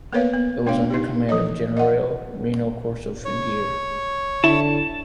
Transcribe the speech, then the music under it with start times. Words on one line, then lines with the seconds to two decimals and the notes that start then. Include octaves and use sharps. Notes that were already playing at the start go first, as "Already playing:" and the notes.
It was under command of "Generale" Rino Corso Fougier.
0.13 A#3 B3 A#4 B4 C#5 F5
0.34 B3
0.66 A3 B3 D4 F4 C#5 F5
0.91 D#4 G4
1.29 E3 F3 A4 C#5 D#5
1.77 D#5 F#5
3.25 C#5
4.44 D3 E4 A5